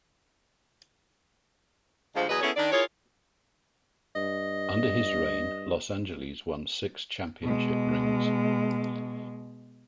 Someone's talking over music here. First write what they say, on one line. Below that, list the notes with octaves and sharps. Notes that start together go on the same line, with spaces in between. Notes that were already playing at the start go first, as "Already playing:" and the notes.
Under his reign, Los Angeles won six championship rings.
D2 F3 G#3
E2 F#3 G#4 B4 D#5
B3 C#4 E4 G#4 A4 C#5
D#3 D4 D5
E4 F4 G#4 A#4 C#5
G2 D#5
B2 G#3